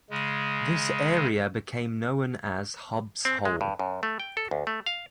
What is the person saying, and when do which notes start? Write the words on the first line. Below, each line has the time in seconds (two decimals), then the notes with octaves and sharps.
This area became known as "Hobbs Hole".
0.10 C#3 G#3
3.25 C4
3.45 G#3
3.61 G2
3.79 F#2
4.03 A3
4.20 G5
4.37 A4
4.51 D2
4.67 A3
4.86 F5